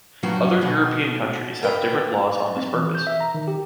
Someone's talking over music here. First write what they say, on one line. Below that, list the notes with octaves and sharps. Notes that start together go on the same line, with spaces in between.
Other European countries have different laws on this purpose.
G2 C#3 F3 F#3 D4 F#4
B2 G#4 F#5
A#4 B4 G5
C4
E3
G6
E5
A#5
D#3
G4